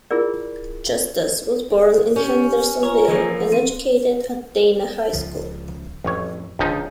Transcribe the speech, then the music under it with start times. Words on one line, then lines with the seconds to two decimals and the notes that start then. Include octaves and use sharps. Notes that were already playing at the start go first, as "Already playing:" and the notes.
Justus was born in Hendersonville and educated at Dana High School.
0.11 E4 F4 G#4 A#4 D5
2.16 C#4 G4
2.83 F4 C#5 G#5 A#5
3.08 E3 F3 A#3
3.52 C4
5.13 C#2 F3
6.04 A1 F2 A2 C#5
6.59 D1 C#2 F3 D4 D#4